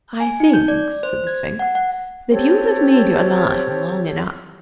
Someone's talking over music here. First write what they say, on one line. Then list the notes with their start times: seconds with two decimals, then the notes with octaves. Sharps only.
"I think," said the Sphinx, "that you have made your line long enough."
0.20 G#5
0.40 D#4
0.53 G6
0.68 D5
1.03 C5
1.27 G#6
1.59 F#5
1.75 F#5
2.32 C4 G4 A4 C#5